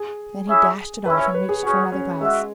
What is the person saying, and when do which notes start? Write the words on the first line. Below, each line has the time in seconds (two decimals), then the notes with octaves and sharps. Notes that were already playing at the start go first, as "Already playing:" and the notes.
Then he dashed it off, and reached for another glass.
Already playing: G#4
0.47 C#4 E4 G#4 E5
1.06 C#4 E4 G#4 B4 E5
1.19 C#5
1.34 B4
1.49 G#4
1.63 C#4 F#4 G#4 C#5 F#5
1.92 C#4
2.21 G#3 F#4 E5